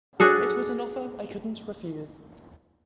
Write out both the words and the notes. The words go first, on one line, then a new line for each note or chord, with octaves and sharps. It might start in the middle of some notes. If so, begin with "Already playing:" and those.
It was an offer I couldn't refuse.
D4 F#4 G#4 A4